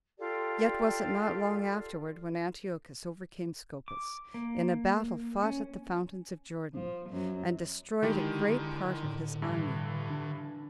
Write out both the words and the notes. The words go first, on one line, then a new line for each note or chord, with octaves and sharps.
Yet was it not long afterward when Antiochus overcame Scopas, in a battle fought at the fountains of Jordan, and destroyed a great part of his army.
F4 G4 A4 D5
D6
A#3
C#4
F3
F#2
D3 D#3 G#3 E4 G4
A2
G2 E3
D4